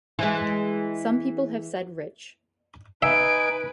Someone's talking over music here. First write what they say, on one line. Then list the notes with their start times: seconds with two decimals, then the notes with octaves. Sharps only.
Some people have said rich.
0.19 E3 G#3
3.02 D#4 B4 E5 G#5 D7